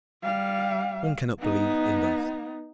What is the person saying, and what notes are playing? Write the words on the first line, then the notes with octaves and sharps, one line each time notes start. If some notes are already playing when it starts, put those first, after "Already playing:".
One cannot believe in both.
G3 F5
B3 D#4